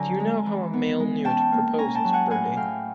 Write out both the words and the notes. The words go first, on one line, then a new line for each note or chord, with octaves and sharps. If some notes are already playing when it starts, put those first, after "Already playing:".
Do you know how a male newt proposes, Bertie?
Already playing: D3 F#3 C4 G#5 A#5
G#3
E3
B3
G#3
C#4 G5 A5
A#3
C#4 G#5 A#5
G#5
G5 A5
F#3
F#5 G#5
A2 F#5 G#5
A2 F5 G5